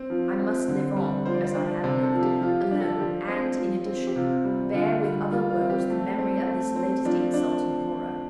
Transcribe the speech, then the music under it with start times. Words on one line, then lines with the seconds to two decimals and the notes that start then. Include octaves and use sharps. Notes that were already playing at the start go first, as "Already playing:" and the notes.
I must live on--as I have lived--alone, and, in addition, bear with other woes the memory of this latest insult and horror.
Already playing: C4
0.10 F3
0.40 C4
0.68 D3
0.96 G3
1.26 F3 C5
1.34 D5
1.44 C5
1.55 D4
1.84 C3 C5
2.03 A4
2.13 F3
2.22 G4
2.41 F3 F4
2.61 G4
2.71 D4
2.80 A4
2.99 F3 G4
3.28 C4
3.57 F3
3.86 C4
4.07 G4
4.16 C3 F4
4.45 G3
4.73 D3 F4
5.03 G3
5.31 G3 F4
5.50 F4
5.61 C4
5.70 G4
5.90 A3
6.18 C4
6.47 A3
6.76 C4
7.05 F3 D4
7.34 D4